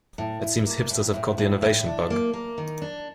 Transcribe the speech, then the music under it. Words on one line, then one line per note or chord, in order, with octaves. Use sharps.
It seems hipsters have caught the innovation bug.
A2
A2
A#3
A2
A2
A2
A2
D4
A#3
A#3
D#3
D4